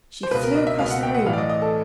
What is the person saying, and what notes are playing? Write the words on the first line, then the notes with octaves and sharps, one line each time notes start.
She flew across the room.
C5
C#2 B2 B4
A#4
D#5
E5
C#2 B2 F5
F#5
G5
F#5
A1 A2 E3 F5
D5
D#5
D#5
A4